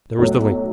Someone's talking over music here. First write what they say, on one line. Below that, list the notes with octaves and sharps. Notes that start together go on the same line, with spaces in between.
There was the link.
B1 A2 F#3